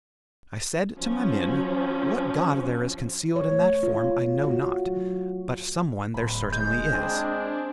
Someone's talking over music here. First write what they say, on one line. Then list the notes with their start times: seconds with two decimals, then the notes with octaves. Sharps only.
I said to my men, 'What god there is concealed in that form I know not, but some one there certainly is.
0.98 F3 F#3 C#4
3.36 C#5
3.52 A3
3.83 F4
4.44 F#4
4.86 F#3
6.14 D1 B5 C6
6.53 G#3 G6
6.93 C4 D4 G#4